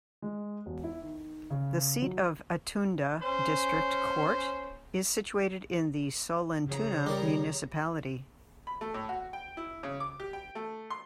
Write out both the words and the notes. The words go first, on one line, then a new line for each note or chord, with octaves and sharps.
The seat of Attunda district court is situated in Sollentuna Municipality.
G#3
E1
E4
D#3
C#3
F#3
C#4 C5
C#3 F3 G#4 C#5 A#5
G3 G4 A#4 D5
B5
A3
A2
F#4
G5
E4
C#3
D6
G4
G5
A3
C6